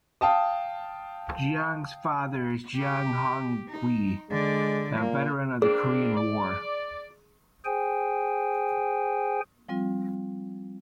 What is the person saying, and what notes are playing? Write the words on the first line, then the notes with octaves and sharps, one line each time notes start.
Jiang's father is Jiang Hongqi, a veteran of the Korean War.
F5 G5 A5 D#6
G4
D#4
D3 G#3 D5
A#2 A#3
A#3 C4 D4 G#4
D5
G#4 C5 G5 G#5
F3 G3 C4 F4